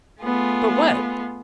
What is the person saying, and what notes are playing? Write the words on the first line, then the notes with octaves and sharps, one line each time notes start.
"But what?"
A3 B3 F4 G#4